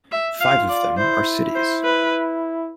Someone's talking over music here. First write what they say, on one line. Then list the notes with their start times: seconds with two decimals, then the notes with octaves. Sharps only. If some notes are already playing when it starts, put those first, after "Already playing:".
Five of them are cities.
0.12 E5
0.40 F4 F5
0.69 D5
0.97 E4 C5
1.55 C5
1.84 B4